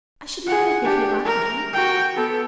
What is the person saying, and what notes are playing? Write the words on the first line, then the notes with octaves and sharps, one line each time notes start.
I should never give her that name.
G#4 F#5
D4 G4
A#4
F#4 G5
B3 A4